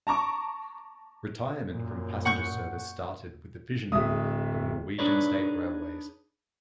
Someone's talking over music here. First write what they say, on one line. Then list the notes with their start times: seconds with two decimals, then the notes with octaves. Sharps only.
Retirement from passenger service started with the fissioning of Norwegian State Railways.
0.07 A5 A#5 C#6 D6
1.70 F#2 A#2
2.25 F#5 C#6 G6
3.92 D1 G#3 E5 D#6
4.99 D4 D#4 G#4 B4 C#5 D5